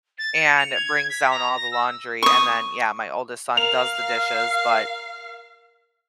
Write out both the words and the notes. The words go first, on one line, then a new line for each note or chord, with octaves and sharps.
and brings down all the laundry and then yeah, my oldest son does the dishes, but,
A6
C#7
F7
G#6
B6
A#5
A#6
E6
C#6 D#6
A#4 F5 F7